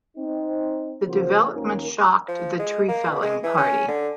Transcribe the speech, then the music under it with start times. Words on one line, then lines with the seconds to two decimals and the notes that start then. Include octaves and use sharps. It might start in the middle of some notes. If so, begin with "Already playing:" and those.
The development shocked the tree-felling party.
0.17 C4 D#4
1.07 C#3 F3 A#3 F#4 C5
1.54 G#1 D#2 D#3 A#3 C#4 A#4
2.28 F3
2.59 G#3
2.89 A#3
3.11 B2
3.22 G#3
3.44 E3
3.58 C#4
3.88 D3